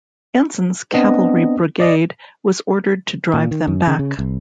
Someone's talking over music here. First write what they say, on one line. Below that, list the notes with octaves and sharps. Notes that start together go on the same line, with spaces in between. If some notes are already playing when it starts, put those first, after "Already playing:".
Anson's cavalry brigade was ordered to drive them back.
B3 C4 D4 D#5
D5 D#5
A#2
D#3
F#2
C#3
C#3
C2